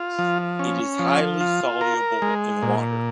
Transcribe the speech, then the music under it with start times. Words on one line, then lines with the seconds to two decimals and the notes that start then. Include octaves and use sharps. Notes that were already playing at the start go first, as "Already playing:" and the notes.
It is highly soluble in water.
Already playing: F4
0.19 F3
0.59 C#4
0.99 F3
1.41 F4
1.81 A#4
2.22 G#3
2.62 A#2